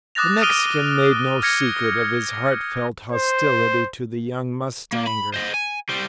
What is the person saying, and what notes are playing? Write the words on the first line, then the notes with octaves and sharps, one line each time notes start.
The Mexican made no secret of his heartfelt hostility to the young mustanger.
D6 D#6 F#6 A6 A#6 F7
D#6 F6 D7 D#7 F7 G7
F6 G#6 A#6 C#7
C5
A#3
B5
C5 D#5
G#5
G3 C5